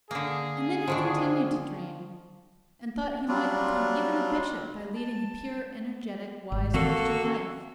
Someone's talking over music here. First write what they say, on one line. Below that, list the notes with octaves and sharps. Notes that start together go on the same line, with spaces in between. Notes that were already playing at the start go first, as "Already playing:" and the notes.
And then he continued to dream, and thought he might become even a bishop by leading a pure, energetic, wise, Christian life.
D3 A#3 G#4
D3 D#3 F3 D4 C#6
F#3 G3 D4 F4
A5
G#1
D#3 E3 A#3 C4 F#4 A4